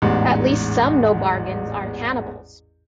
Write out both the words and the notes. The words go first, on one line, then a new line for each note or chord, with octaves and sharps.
At least some nobargans are cannibals.
A1 E2 G#2